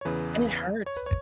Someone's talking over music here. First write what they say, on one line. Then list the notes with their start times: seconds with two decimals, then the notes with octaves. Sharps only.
and it hurts.
0.01 C#5
0.05 E2 C#3 E3 B4
0.86 C#5
0.97 B4
1.06 C#5